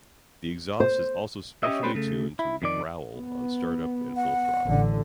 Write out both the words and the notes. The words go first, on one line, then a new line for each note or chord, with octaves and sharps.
The exhaust is also specially tuned to "growl" on start-up and full throttle.
C5
C#4 G4 A#4 C#5 D#5 E5
G3 A3 C4 C#4 B4 C5
C#3 A3
E4
F2 D#3 D5
B3
F#5
A1 D3